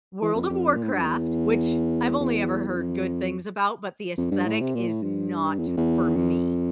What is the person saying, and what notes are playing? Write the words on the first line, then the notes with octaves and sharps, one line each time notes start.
World of Warcraft, which I've only ever heard good things about, but the aesthetic is not for me.
E3
F2
F2
A#2
A2
G2
F2
E2
E2
E2
F2
F2
G2
A2
C3
A#2
A2
G2
E2
F2
E2
F2